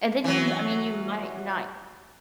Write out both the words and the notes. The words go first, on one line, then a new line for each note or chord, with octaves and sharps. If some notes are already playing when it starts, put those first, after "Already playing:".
and then you m I mean, you might not
E3 F#3